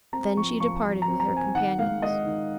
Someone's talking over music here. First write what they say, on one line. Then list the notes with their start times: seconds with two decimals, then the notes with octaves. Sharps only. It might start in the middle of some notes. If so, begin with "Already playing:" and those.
Then she departed with her companions.
0.13 C4 A#5
0.37 F3 C#6
0.60 F3 C#6
0.84 F3
1.02 A#5
1.08 C4
1.20 A#5
1.31 C4
1.37 G#5
1.55 D#3 F#5
1.79 G#3 F5
2.02 G#3 D#5
2.26 D#3